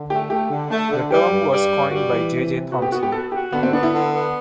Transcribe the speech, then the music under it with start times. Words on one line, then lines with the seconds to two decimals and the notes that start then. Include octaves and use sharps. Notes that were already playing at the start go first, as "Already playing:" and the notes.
The term was coined by J. J. Thomson.
Already playing: D3
0.10 A3 G4
0.30 A3 G4
0.50 D3
0.70 A3
0.91 D3
1.10 G3 G4
1.31 G2
1.51 G3
1.71 G2
1.91 G3 F#4
2.12 E3
2.32 C3
2.52 C3
2.72 B3 F#4
2.82 G4
2.92 B3 F#4
3.03 G4
3.12 F#4 A4
3.32 F#4 G4
3.52 D3 B3
3.63 C4
3.72 B3 D4
3.83 E4
3.93 D3
4.13 B3